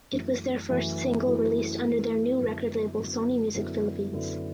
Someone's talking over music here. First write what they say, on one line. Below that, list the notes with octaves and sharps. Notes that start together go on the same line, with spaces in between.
It was their first single released under their new record label Sony Music Philippines.
F#2 E3 A3 E4
F#2 E3 A3 E4
F#2 E3 A3 E4
F#2 E3 A3 E4
F#2 D3 B3 E4
F#2 D3 B3 E4
F#2 D3 B3 E4
F#2 D3 B3 E4